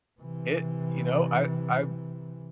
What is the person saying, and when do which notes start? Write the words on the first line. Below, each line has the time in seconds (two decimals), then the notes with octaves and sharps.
it you know, I I,
0.20 C3 E3